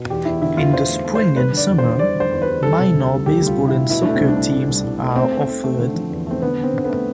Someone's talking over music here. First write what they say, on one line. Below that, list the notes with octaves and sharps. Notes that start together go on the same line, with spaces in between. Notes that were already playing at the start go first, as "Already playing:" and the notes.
In the spring and summer, minor baseball and soccer teams are offered.
Already playing: B2
E2 G4
E2 E4
D3 E4
E2 F4
E2 C5
A3
A3
A3 C5
G3 B4
D3 D5
E2
D3 C5
G3 D5
D3
C5
E2
B4
E2
G3 A4
C3
D2
G3
D2 G4
G3 F4
C3
E4
D2
B2 E4
A3 D4
C4
C2
D4
A3
A3
C2
C2
A3
A3 C4
A3
A3
A3
D3
F3
E2
A3 C4
D3 B3
D3
C4
D3
A3 B3